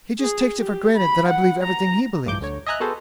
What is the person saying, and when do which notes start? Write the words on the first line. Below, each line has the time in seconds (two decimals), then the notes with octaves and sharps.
He just takes it for granted that I believe everything he believes.
0.21 G#4
0.59 G4
0.96 B5
1.28 F#5
1.64 A#5
2.25 A#1 G2 E3 D6 G6
2.41 D2 D3 C#5
2.66 D#5 E5 G#5 A#5 F#6
2.80 B3 F#4 G#4 A4 B4 C5